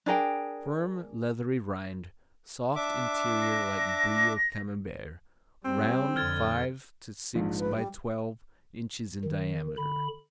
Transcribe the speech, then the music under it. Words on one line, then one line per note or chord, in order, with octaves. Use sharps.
Firm, leathery rind, soft interior like Brie or Camembert; round, five to six by twelve inches in diameter.
D4 G#4 A#4 G5
D4 E5 D6
A#6
G3 C4
F2 D3 F6 G#6 A6
A#1 G#2
B4
G3
D#3
D3 B5